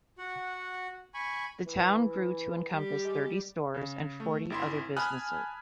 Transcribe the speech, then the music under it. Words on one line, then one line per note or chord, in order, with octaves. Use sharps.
The town grew to encompass thirty stores and forty other businesses.
F#4 F#5
G#5 B5 C#6
E3
G3 G4
G#3
C#3
A3
G#1 E4 C6
G#5 A5 B5 D#6 F6 F#6